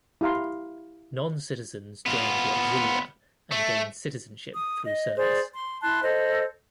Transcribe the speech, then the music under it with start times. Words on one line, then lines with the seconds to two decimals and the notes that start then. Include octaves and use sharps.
Non-citizens joined the Auxilia and gained citizenship through service.
0.21 E4 G4 F5 A#5 C6
2.06 B3 F4
3.51 A3
4.53 D#6
4.84 D#5
5.17 G#4 C5 D5
5.53 C6
5.82 E4 A5 C6 F#6
6.02 A4 C5 D#5